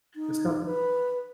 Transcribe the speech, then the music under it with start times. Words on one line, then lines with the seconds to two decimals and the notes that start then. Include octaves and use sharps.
it's got
0.16 D#4
0.66 B4